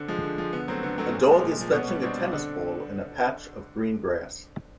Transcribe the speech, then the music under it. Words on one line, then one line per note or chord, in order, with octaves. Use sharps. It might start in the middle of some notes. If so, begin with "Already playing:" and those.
A dog is fetching a tennis ball in a patch of green grass.
Already playing: D3 C4
F3 G#3
D3
F3 G#3
D3 B3
F#3 A3 C4
D3 B3
F#3 A3 C4
A#2
F3 G#3
A#2
F3 G#3
B2 B3 C#4
G3
B2 C4 D4
G3
D3